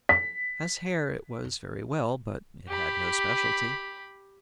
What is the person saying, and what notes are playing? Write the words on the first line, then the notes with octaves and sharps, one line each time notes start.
As hair it was very well, but it had no speciality.
B6
G4 B5